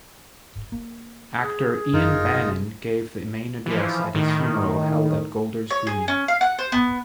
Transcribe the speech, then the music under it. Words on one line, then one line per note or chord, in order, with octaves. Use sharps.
Actor Ian Bannen gave the main address at his funeral held at Golders Green.
A#3
G#4
G1 F#2 D#4 F4 A#4
F#1 F#2 C3
E3 F3
A2 D#3
C#5
G#4
C#4
F5
F#5
C5
B3